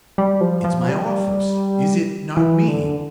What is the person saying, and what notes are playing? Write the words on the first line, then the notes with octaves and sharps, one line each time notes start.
It's my office, is it--not me?
G3
F3
F3
G3
E3
D3